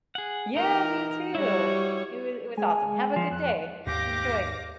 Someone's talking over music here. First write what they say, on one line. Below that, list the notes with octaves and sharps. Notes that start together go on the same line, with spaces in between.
Yeah, me too. It wa it was awesome. Have a good day. Enjoy.
G#4 F#5
E3 D#4 A#4
G3 E4 F#4 C#5
G#3 G#5
F3
F2 F#6
D#2 G#2 G4 F5 D6 A#6